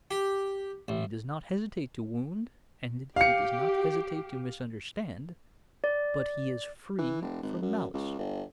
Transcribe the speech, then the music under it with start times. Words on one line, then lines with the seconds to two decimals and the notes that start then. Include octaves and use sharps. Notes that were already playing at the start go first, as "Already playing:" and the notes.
He does not hesitate to wound and he does not hesitate to misunderstand, but he is free from malice.
0.11 G4
0.88 A1
3.16 G4 F5 C#7
5.84 D5
6.98 E3
7.22 F1
7.43 G#1
7.62 F#2
7.94 C#2
8.19 G1